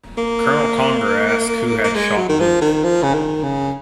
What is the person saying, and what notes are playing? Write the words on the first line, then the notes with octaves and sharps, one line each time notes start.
Colonel Conger asked who had shot Booth.
A#3
A#3
G#3
F#3
D#3
F3
D#3
F3
C#3
D#3
C#3